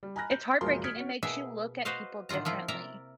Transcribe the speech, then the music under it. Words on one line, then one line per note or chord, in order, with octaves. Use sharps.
It's heartbreaking, it makes you look at people differently.
G3
G#5 A#5 B5 F6 F#6 A#6
G6
F#1 B1 F3 G#3 A#4 C6
D#6 F6 G#6 B6 C#7 D7
C#4 F#4
B2 A#3 E4 G#4 E5
F#4 B4 C5 D#5 F5
A2 D3 D#3 F4 A#5
F3 A#3 E4 F4
C3 A#4 D5 E5 A#5